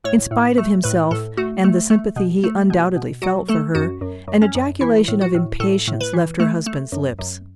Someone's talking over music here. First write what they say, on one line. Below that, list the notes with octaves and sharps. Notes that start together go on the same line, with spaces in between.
In spite of himself and the sympathy he undoubtedly felt for her, an ejaculation of impatience left her husband's lips.
A2 C#5
A2
A3
A2 B4
A2 A4
A3 F#4
A3
A3
B2
A3
B2
B2
F#3 F#4
A3 A4
F#2 F#4
F#2
F#2
C#4
F#2
E3 E4
A2
F#4
A2
A2 A4
A2
B4
E3
A3
A3
F#2
F#2